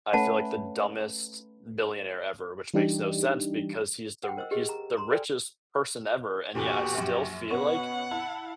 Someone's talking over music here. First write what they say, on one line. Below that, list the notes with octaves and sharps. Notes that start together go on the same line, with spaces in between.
I feel, like, the dumbest billionaire ever. Which makes no sense because he is the r he is the richest person ever, and yeah, I still feel, like,
A3 C#4 B4 F#5 A5
E3 G3 D4 D#4 G4
F#5 G5
A#4 C5 D#5 E6
G4 G#4 B4 D#5
A#5
A#5 C6
A4 B4 C5 D5 G5 G#5
E2 A#2 D3 F#4 G4
A#1 F#2
B2 B3 C#4 F#5 C#6
E4 A5